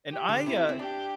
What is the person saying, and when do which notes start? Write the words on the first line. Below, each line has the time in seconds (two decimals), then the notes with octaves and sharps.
And I, uh
0.12 G4
0.29 D3
0.46 C3 E4
0.69 C4
0.79 D4 G4